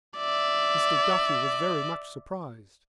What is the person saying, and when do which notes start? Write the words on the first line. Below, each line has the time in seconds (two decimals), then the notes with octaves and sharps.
Mr. Duffy was very much surprised.
0.18 D5 E5